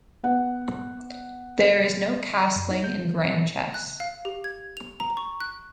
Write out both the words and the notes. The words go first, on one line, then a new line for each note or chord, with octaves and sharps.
There is no castling in Grand Chess.
B3 F#5
F#2
D#4
G6
F3
F#6
F5
G4
G#6
F7
A#5
C#6
F#6